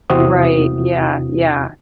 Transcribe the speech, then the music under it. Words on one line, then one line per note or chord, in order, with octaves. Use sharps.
Right. Yeah. Yeah.
E2 C3 C4 E4 F#4 D#6